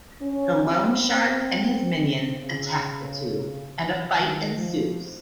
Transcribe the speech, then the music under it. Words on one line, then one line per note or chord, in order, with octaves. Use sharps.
The loan shark and his minions attack the two and a fight ensues.
C#4
C4
C4
C4
C#3
C3
D#3
F3